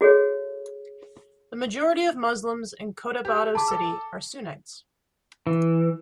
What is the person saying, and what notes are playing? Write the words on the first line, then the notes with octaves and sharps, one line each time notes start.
The majority of Muslims in Cotabato City are Sunnites.
F#4 G#4 A4 C#5
G4
G#4 A5 B5 D6
A4 E6
E3